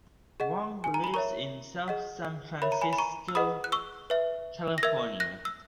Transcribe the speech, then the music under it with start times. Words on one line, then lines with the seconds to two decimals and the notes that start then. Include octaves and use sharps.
Wong lives in South San Francisco, California.
0.40 G#4 D#5 F#5
0.84 G#5
0.94 A#5
1.04 B5
1.14 A#4 C#5 E5 A#5 C#6
1.88 G#4 D#5 F#5
2.62 A#4 C#5 E5 B5
2.72 A#5
2.81 G#5 B5
2.93 B5
2.98 A#5 C#6
3.28 E6
3.35 G#4 B4 D#5 F#5 B5 D#6
3.64 F#6
3.72 C#6 E6
4.10 B4 E5
4.78 A#6
4.83 A#4 E5 E6 G#6
5.20 F#6 A#6
5.45 E6